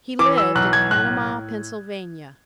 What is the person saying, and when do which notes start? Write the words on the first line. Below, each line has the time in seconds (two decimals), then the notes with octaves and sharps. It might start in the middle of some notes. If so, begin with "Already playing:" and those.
He lived in Panama, Pennsylvania.
0.19 E3 D6
0.38 E6
0.55 B1 F#6
0.73 G#6
0.91 A2 F#6